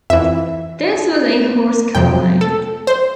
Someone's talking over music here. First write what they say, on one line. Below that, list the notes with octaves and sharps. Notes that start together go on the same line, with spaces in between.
This was a horse car line.
F2 E3 E5
F2 C3 F3 G5
A4
C5